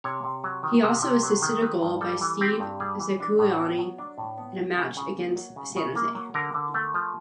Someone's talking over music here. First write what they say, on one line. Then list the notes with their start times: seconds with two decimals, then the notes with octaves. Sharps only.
He also assisted a goal by Steve Zakuani in a match against San Jose.
0.04 C3 C#5
0.24 C3
0.44 F#3
0.63 D#3
0.83 C3
1.02 C3
1.23 F#3
1.42 D#3
1.62 C4 B4
1.82 G2
2.01 G3 A4
2.21 E3
2.41 C4 G4
2.60 G2
2.80 G3 G#4
3.00 E3
3.20 D4
3.39 A2
3.59 B3
3.78 F#3
3.98 D4
4.18 A2
4.38 B3
4.57 F#3
4.77 C#3
4.97 C#3
5.16 A#3
5.36 F#3
5.56 C#3
5.76 C#3
5.95 A#3
6.15 F#3
6.34 D3 A#4
6.54 D3
6.74 A3
6.94 F3